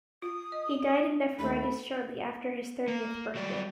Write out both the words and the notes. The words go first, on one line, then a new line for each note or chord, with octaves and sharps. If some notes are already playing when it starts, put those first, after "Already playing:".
He died of nephritis shortly after his thirtieth birthday.
F4 D#6
D#5
D#2 A3 B5
A#3
F#3 G3 D5